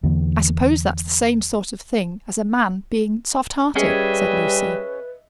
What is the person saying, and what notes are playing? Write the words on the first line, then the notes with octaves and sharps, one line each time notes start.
"I suppose that's the same sort of thing as a man being soft-hearted," said Lucy.
E2 D3 E3 A#3
G3 C#4 G#4 B4 D#5 E5